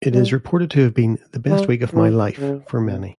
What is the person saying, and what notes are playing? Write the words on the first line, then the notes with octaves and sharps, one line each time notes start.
It is reported to have been "the best week of my life" for many.
G3
G3
E3
C#3
B2